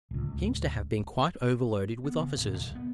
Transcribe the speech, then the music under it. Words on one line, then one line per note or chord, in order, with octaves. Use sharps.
He seems to have been quite overloaded with offices.
D1 C#2
B3
C#3
D1
C2
B3